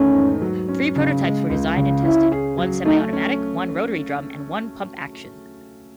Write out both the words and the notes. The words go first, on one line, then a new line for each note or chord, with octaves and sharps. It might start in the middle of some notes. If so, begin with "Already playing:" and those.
Three prototypes were designed and tested: one semi-automatic, one rotary-drum, and one pump-action.
Already playing: E2 D#3 A3 C#4
G#2
F#3
C#4
C#3
G#3
C#2
C#3
C#4 E4
G#4
F#3
A3 D#4
C#4